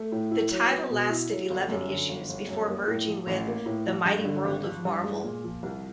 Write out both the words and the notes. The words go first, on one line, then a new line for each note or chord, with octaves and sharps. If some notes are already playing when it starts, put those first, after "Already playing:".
The title lasted eleven issues before merging with "The Mighty World of Marvel".
Already playing: A3
A2
E4
F#3
B3
B2
E4
F#3
G1
F#2
D3
G1
G1
F#2
A#3
A2
F3
A1
A#3
A2
F3
G2
D3
G#1
F3
G2
G#3
A#2
F3
C2